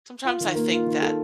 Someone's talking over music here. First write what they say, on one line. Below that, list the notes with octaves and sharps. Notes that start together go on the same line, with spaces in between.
Sometimes, I think that
F4
D#3
A#3
F4
D#3
A4